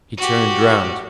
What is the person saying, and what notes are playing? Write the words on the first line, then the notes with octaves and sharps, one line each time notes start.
He turned round.
F#4 G4